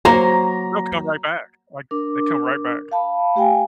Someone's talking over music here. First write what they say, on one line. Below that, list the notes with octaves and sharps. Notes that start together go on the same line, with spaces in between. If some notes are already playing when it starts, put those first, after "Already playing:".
They'll come right back, like, they come right back.
F#3 A#3 C5 A#5
D4 A#4 D6
F5 A5 B5
A3 G4 F5 G5 G#5